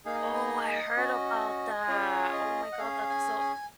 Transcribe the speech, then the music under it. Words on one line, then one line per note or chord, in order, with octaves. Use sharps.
Oh, I heard about that. Oh my god, that's so
A#3 D#4 G#4 F5
D#5
C#5
D#5
C#4 F#4
C#4 F4 G#4 C#5
D#5
F#5
C#4 G#4 F5
G#5
G#5